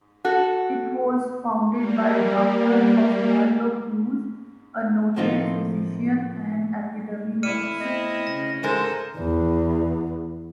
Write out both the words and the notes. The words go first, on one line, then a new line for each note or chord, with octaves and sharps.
It was founded by Doctor Oswaldo Cruz, a noted physician and epidemiologist.
F#4 A4
G3 A#3
A2 D#3 F3 C4 D#4 F4
C3 A3 E4 F6 C#7 D#7
B3 C4 E4 D#5
C#3 A#6
G#2 G#3 A4 A#4 C5
E2